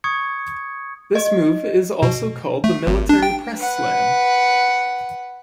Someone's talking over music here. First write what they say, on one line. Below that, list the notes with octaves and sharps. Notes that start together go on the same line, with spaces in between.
This move is also called the military press slam.
C#6 D#6 G#6 C#7
D#5
B2
A3
G#1
D4
G5
B4 F#5